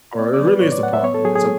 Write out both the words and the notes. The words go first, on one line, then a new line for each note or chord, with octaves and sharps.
or really it's a pond it's a
B3 D5
D5
F#3
B4
A2 C#5
D5
A2 F#5
E5
B3 C#5
A4
F#3 G#4
G#4